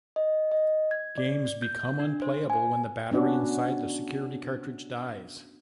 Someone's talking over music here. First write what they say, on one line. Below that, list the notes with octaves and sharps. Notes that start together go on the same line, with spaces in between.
Games become unplayable when the battery inside the security cartridge dies.
D#5
D#5
G#6
D5
G6
D4
C5
G#5
B3 C#4 D4 F#4